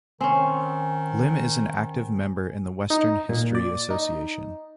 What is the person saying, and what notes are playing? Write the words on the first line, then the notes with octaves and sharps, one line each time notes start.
Lim is an active member in the Western History Association.
D#3 C4 C#4 G#5
D#4
A#2
D5
D#4